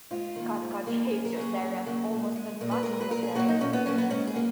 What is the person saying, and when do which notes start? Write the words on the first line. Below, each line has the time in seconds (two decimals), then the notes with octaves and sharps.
Cathcart hates Yossarian almost as much as Yossarian hates him.
0.11 G#2 F4
0.36 D#3 A#3
0.61 G#2
0.86 D#3 A#3
1.10 F#2 G#4
1.25 A#4
1.36 C#3 F#3 A#3 G#4
1.61 F#2
1.86 C#3 F#3 A#3
2.11 A#2
2.36 G#3
2.61 A#2 A#4
2.71 B4
2.83 G#3 A#4
3.01 B4
3.10 A#2 A#4
3.23 G#4
3.35 F#3 A#3 F#4
3.49 D#4
3.60 A#2 C#4
3.73 B3
3.86 F#3 A#3 C#4
3.98 B3
4.11 G#2 C#4
4.27 G#4
4.35 F#3 A#3